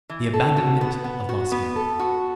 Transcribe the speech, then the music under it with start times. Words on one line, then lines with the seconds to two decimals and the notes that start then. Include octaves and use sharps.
"The abandonment of Moscow."
0.09 E3
0.33 A4
0.57 F#4
0.81 B3
1.04 B3
1.29 F#4
1.52 B3
1.76 A4
1.99 F#4